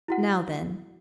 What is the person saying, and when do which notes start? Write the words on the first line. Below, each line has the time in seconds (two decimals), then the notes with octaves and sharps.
"Now, then!"
0.08 E4 F#4 F#5